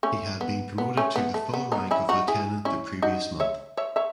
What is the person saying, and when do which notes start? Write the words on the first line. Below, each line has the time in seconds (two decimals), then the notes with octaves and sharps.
He had been promoted to the full rank of lieutenant the previous month.
0.03 A3 C#4
0.41 B3
0.78 B3
0.97 A3 C#4
1.16 B3
1.34 A3
1.53 B3
1.72 B3 D#4
1.91 C#4 E4
2.09 D#4 F#4
2.28 E4 G#4
2.65 C#4 E4
3.02 D#4 F#4
3.40 C#5 E5
3.77 C#5 E5
3.96 C#5 E5